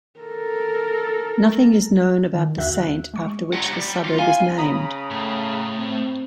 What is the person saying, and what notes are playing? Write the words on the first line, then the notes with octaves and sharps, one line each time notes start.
Nothing is known about the Saint after which the suburb is named.
A4 A#4
D#3
D#2 D3 F#4 E5 F#6
G#3 C#6
G3 F#5
G3
F4
F5 G#5
C#3 A#5 B5 D#6
A2
C4